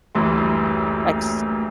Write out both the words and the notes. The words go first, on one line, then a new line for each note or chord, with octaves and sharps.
like, s
F#1 D2 E3 G3 C6